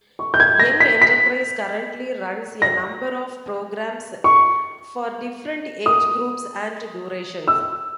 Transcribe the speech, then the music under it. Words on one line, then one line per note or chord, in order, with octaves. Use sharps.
Young Enterprise currently runs a number of programmes for different age groups and durations.
C#6
G6
G#6
A#6
B6
B6
A#6
C#6
D#6
E6